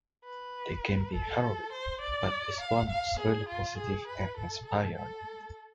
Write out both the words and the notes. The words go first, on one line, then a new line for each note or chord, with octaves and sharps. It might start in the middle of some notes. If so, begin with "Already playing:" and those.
They can be harrowing, but this one was really positive and inspiring.
B4
A4
C5
D5
F5
F5
G#4
F4
G#4
B4
A4
A4
A4